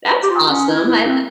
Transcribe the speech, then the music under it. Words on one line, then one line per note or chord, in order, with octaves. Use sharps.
That's awesome. I li
G4
F4
C#4
E4
E4
C4